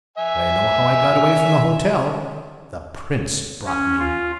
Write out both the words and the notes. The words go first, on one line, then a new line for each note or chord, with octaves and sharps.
"But I know how I got away from the hotel. The Prince brought me."
E5 G#5
C#4
F4